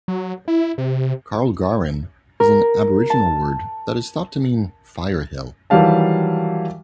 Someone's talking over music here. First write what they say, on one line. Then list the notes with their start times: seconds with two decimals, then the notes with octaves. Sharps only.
Karlgarin is an Aboriginal word that is thought to mean "fire hill".
0.08 F#3
0.48 E4
0.78 C3
2.40 A#4
3.10 A5
5.70 D#3 E3 F#3 G3 F5 A5